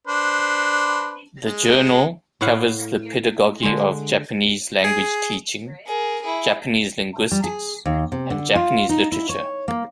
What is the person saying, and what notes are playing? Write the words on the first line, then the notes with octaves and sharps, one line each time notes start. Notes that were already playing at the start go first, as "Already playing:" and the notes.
The journal covers the pedagogy of Japanese language teaching, Japanese linguistics, and Japanese literature.
D4 B4 C5
G#3
A2 E4 F5 F#5
D3 G#3
G#4
G#4 A#4
E4 G#4
G3
G#4
D#2
C3
D3
F4
D#4
E4
C#5
A#3